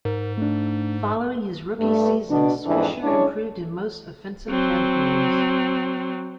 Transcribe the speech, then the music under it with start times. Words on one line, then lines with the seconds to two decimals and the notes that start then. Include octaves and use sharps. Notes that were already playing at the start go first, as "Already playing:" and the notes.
Following his rookie season, Swisher improved in most offensive categories.
0.05 G#2 A#4
0.38 A3 D4
1.79 G2 A3
2.29 B2 D4
2.66 F2 G#2 E3 D4 E4
3.03 G#3 C#4 D4 E4 C#5
4.49 F#3 C4